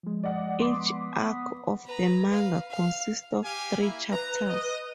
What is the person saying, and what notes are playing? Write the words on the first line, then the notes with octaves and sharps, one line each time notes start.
Each arc of the manga consists of three chapters.
F3 G#3
D5 D#5 F#5
B3 C6 D6
B4 A#5
B4 F5
F5
G4 F5 G#5
A#3 E4
B4 A#5
D#5